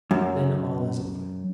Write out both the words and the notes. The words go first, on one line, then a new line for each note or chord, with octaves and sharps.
Then all is over.
F#2